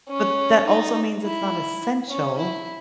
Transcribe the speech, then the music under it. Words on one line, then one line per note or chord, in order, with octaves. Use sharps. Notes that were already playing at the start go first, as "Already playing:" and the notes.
but that also means it's not essential,
C#4
D#4
E4
C#4
E4